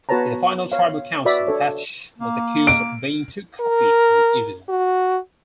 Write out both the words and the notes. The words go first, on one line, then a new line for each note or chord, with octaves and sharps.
In the final tribal council, Hatch was accused of being too cocky and evil.
B3 F#4 B4 C#5 A5 A#5
C#5 F5
F#4 B4 D5 E5 B5
D4 A4 C#5
A#3
D7
A#4
F#4